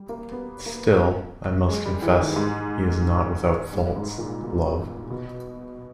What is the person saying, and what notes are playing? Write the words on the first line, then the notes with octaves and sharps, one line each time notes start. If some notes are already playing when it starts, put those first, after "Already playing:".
Still, I must confess he is not without faults, love.
Already playing: G3
A#3
B3
A#3
G#3
G3
E3
D#3
G#2
G2
G#2
A#2
B2
B2